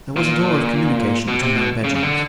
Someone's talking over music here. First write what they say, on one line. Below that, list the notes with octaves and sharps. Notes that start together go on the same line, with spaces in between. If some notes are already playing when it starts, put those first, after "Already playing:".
There was a door of communication between our bedrooms.
A#2
B2
C3
B2
C#3
C#3
D3